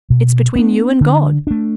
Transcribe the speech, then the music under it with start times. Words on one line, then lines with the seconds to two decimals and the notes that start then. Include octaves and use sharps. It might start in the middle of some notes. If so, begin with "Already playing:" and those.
It's between you and God.
0.10 B2
0.56 B3 D4
1.01 D3
1.47 A3 D4